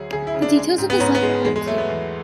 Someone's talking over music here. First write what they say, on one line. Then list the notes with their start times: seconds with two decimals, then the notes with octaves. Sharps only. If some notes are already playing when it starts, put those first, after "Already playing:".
The details of his life are unclear.
Already playing: D2 F#3 G#4
0.12 D2 G#4
0.27 E4
0.35 C#3
0.42 D4
0.57 G#3
0.78 G#2
0.90 B3
1.00 G#2 C#4
1.15 B3
1.23 G#3
1.44 E2 G#3
1.56 G#3
1.66 F#3 A3
1.78 B3
1.89 E2